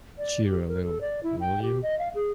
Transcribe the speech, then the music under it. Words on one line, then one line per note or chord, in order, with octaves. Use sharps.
Cheer a little, will you?
D5
G4
A#4
A4
D5
E4
G5
G4
D#5
F5
G#4